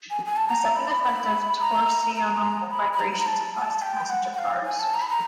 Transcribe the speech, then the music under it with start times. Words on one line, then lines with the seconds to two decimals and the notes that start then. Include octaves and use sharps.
A second effect of torsional vibrations applies to passenger cars.
0.11 G#5
0.26 G#5
0.36 A5
0.48 A#5
0.76 B5
1.04 B5
1.60 A#5
2.16 A#5
2.70 B5
2.93 B5
2.99 A#5
3.11 B5
3.19 A#5
3.26 A5
3.55 A5
3.82 G5
4.10 F#5
4.33 F#5
4.39 F5
4.66 G#5
4.79 A5
4.94 A#5
5.02 B5
5.09 A#5